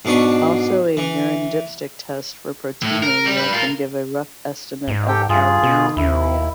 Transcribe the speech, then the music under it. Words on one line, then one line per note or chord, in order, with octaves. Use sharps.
Also a urine dipstick test for proteinuria can give a rough estimate of albuminuria.
G#2 B2 D4 C#6
E3
A2
A#4
G3
G3 B4
F4 A#4
G#2
G4 A4 G5
G2 F4 G#4
B2
D#2 E4